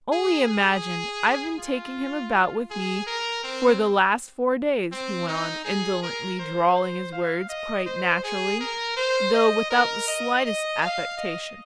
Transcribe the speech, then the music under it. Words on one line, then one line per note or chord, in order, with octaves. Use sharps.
"Only imagine, I've been taking him about with me for the last four days," he went on, indolently drawling his words, quite naturally though, without the slightest affectation.
G#4
G#4
F4
G#4
A#4
C4
C4
D#4
G#4
A#4
C5
C5
F5
D#5
C5
G#4
A#4
C5
D#5
A#4
D#5
D#5
F5
D#5